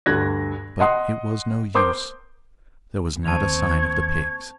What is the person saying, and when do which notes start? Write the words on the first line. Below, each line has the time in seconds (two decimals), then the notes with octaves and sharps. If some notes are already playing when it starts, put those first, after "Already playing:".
But it was no use; there was not a sign of the pigs.
0.06 D2 G2 F#6 G#6 A#6
0.80 D#5 F#5 C6 D#6
1.74 A#4 C5 C6 D6 D#6 G6
3.25 D#2 D3 C4 A5 C#6 G#6 F7